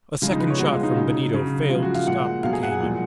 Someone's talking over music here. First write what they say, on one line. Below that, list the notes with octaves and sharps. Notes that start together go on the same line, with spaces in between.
A second shot from Benito failed to stop the cayman.
C#3 F3 G#3 F4
D#4
B4
C#5
B2 G#3 F#4
F4
D#4
C#3 F#3
C#3 F#3
C#3 F3 G#3 F4
F#4
F5
A#2 G#3 F#5
B2 F#3 F5
G#4
F#5
G#5
A#2 F3 G#3